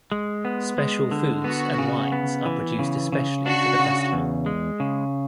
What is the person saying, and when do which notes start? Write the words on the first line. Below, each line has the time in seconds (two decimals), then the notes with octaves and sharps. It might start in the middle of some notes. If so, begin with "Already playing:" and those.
Special foods and wines are produced especially for the festival.
0.12 G#3
0.45 B3
0.78 G#3
1.11 D3
1.44 B3 F#4
1.78 C#3
2.12 B3
2.45 E3
2.79 C#3
3.12 C#3
3.45 D4 F#4
3.79 C#3
4.12 E2
4.46 G#3
4.80 C#3